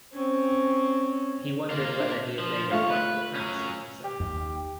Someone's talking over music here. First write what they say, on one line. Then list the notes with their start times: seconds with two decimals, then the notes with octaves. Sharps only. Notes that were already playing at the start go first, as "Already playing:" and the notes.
He wondered whether he had made a frightful ass of himself.
0.13 C4 C#4
1.70 A#3 F4
2.00 D4
2.40 F3
2.71 G#2 A3 F4 C#5 F5
2.90 B4
3.35 F#3 C#4
4.04 G4
4.20 D#2